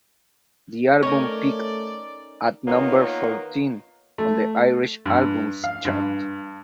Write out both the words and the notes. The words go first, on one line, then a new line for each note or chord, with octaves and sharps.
The album peaked at number fourteen on the Irish Albums Chart.
A3 C#4 D#4 A#4 C#5 D5
D#3 A#3 B3 D#4 F4 C#5
A3
G2
F5
G2